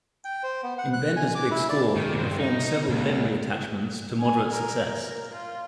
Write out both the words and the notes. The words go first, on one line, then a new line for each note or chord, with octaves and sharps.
In "Bender's Big Score", he performs several limb reattachments to moderate success.
G5
C5
B3
F#5
F#6
G#5
D6
E4
D5
D#3
G2 C5
D#4
C#2
G#5
A#4
A#4
F4